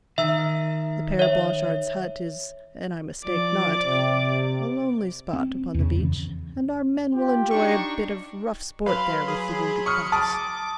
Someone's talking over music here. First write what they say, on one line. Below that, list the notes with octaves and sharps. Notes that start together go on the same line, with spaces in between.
The Pere Blanchard's hut is--an I mistake not--a lonely spot upon the beach, and our men will enjoy a bit of rough sport there with the wounded fox.
D#3 E5 E6
C#5 E5
F3 D5 D6
C3
C4
E2 C#3
F2 E3
F4 G4
D4 D#4 C#6
F#3 B4 F5 B5 C6
G#4
C#6 D#6 F6 C#7
A5 D6 D#6